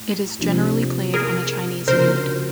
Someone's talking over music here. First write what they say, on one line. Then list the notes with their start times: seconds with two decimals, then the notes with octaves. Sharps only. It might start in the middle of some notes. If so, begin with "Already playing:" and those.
It is generally played on a Chinese flute.
Already playing: A2
0.39 C3 F3 A#3 D4
1.14 G#4 A#4
1.88 C#3 F3 A#3 D4 F#4 A#4 C5